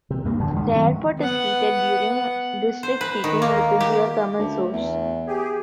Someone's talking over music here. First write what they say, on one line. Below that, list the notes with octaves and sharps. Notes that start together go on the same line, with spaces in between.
The airport is heated using district heating with a geothermal source.
C3
D2 G2 F#3 A#3
F#2 D3
D2 D3 F3 G#3
D#3 F#3 C4
B3 F#5
C5
B4
D#3
A#3
G4
D2
E2
G4 G#4